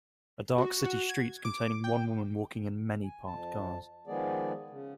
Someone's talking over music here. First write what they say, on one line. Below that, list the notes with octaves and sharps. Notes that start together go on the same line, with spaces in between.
A dark city street containing one woman walking and many parked cars.
F#4
F#4
G#6
D6
G5
G#5
F2 A5
D#3 F3 G#3 B3 G#4 D5
C#3